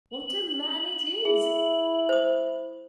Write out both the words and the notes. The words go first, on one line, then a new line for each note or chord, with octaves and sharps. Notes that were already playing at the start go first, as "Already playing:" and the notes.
What a man it is!
F#7
E4 G#4
C5 D#6